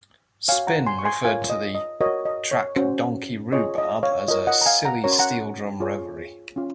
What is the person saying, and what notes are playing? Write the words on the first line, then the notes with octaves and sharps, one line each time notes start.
"Spin" referred to the track "Donkey Rhubarb" as a "silly steel drum reverie".
F#4 C#5 F5 G#5
F#5 A#5
G#5 C6
C#6
G#5 C6
F4 A#4 C#5 F5 G#5
D#5
D#5
F#4 A#4 C#5 D#5
D#5
C#5
C#4 F#4 C5
F4 G#4 C#5 D#5
D#5
C#5 F5
F4 A#4 C#5 D#5
D#5 F#5
A#5
F5 G#5
F#5 A#5
C#4 F#4 A#4 C#5 A#5
C6
F#5 A#5
F4 G#4 C#5
C#4 F4